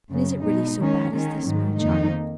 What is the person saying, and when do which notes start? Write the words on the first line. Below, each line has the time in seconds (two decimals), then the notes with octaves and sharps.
And is it really so bad as this, my child?
0.10 F#2 C#3 F#3
0.43 B2 G#3 D#4
0.78 D#3 G#3 C#4
1.12 D#3 G#3 C#4
1.45 G#2 D#3 F#3
1.79 F2 D#3 A#3 D#4